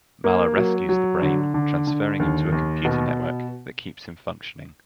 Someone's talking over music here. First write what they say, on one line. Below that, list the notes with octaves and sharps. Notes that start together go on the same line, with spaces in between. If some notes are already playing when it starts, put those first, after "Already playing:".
Mallah rescues the Brain, transferring him to a computer network that keeps him functioning.
A#3
F#3
F#3
D3
D3
D3
D#2
D#2
B2